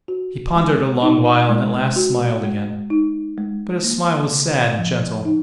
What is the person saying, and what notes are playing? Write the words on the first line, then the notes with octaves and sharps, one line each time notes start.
He pondered a long while and at last smiled again, but his smile was sad and gentle.
F#4
G#3
D#4
G#3
F#4
G#3
D#4
G#3
A#3
C#3
F3
D#4